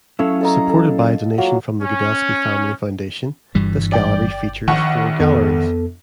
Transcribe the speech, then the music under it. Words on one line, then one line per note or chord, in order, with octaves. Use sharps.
Supported by a donation from the Gudelsky Family Foundation, this gallery features four galleries.
F#3 A3 C#4 E4 F5 E6
A4 D#5 A#5
A4
F#3 A#3 F4
C#4
G1 G2 E3 G3
D5 G5
A#1 D#3 F#5 C#6
F2 B3 A4